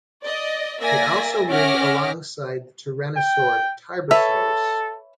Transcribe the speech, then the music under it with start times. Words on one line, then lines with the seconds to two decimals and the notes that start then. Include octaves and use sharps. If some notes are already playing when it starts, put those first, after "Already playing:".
It also lived alongside the tyrannosaur "Tarbosaurus".
0.23 D5 D#5
0.81 A#3 D5 E5 G#5 A#6
1.48 C#4 E5 F#5 D6 F6 A#6
3.16 G5
4.11 A4 B4 C#5 E5